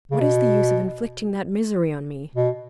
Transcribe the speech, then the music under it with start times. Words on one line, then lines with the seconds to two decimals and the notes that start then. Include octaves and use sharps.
What is the use of inflicting that misery on me?
0.11 C#3
0.21 B2
2.36 B2